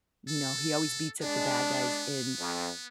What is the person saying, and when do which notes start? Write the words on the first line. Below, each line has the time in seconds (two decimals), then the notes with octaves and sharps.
you know, he always beats up the bad guys in
0.29 A4
1.22 G#3 B3 D4
2.39 F2